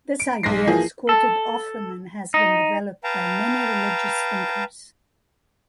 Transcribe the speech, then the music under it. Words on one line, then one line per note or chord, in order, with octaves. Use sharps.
This idea is quoted often and has been developed by many religious thinkers.
D7
B1 G#3 A#6 C7
E3 F3 A#3 G#4
A4
D#4
B4 F5 G5 A5 A#5